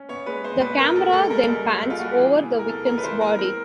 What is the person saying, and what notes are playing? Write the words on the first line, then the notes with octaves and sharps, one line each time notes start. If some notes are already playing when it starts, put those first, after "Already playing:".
The camera then pans over the victim's body.
Already playing: C#4
B3 C#5
G#3 B4
G#3 C5
B2 B4
B3 A#4
G#3 A4
C#2 A4
G3 A#4
C#2
C#2
C#2
F4
G3 F#4
G4
E3 G#4
C3
E2
A#4
C3 A4
E2 A#4
B4
E3 C5
G#3 A#4
C4 A#4